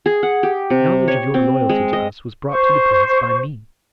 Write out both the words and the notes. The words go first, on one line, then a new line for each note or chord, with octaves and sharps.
Knowledge of your loyalty to us was brought to the Prince by me.
G#4
F#5
G4
C3
C#5
C4
G#3
D#5
C5 C#6